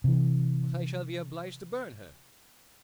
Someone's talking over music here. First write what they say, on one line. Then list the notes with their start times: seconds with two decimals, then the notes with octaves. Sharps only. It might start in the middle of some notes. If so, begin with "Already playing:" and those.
"But I shall be obliged to burn her."
0.04 C3 E3